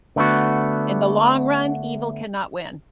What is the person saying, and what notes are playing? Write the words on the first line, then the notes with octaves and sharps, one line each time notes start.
in the long run, evil cannot win.
D3 A3 B3 F#4